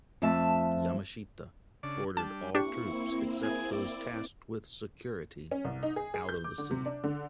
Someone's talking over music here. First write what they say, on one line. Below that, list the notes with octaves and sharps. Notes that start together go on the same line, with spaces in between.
Yamashita ordered all troops, except those tasked with security, out of the city.
F2 F3 A3 E5 A5
C#3 D4 D5
G3 D4 A5
A#3 C4 D4 E4 G4 C#6
G#4 G#5
D5
C#4
C2
D#4
G#4
G#4
G6
D6
D3
C3
D4
D3